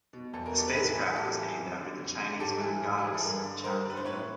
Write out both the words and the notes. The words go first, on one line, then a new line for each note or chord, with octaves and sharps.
The spacecraft was named after the Chinese Moon goddess, Chang'e.
B2
E2 A4
A#4
B2 G4 A4
B4
A2 G#4 A#4
E3
A2 G4 A4
E3
F2
D3
F2
D3
G#2 G4 A4
E3
G#2
G4
E3
G#4
A4
G2 G#4 A#4
D3
G2 A#4 C5
D3 B4
C5
A2 B4 C#5